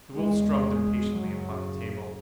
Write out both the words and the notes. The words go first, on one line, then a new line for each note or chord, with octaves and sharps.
The Wolf strummed impatiently upon the table.
E2 C#3 G#3
G#3
F#2 C#3 F#3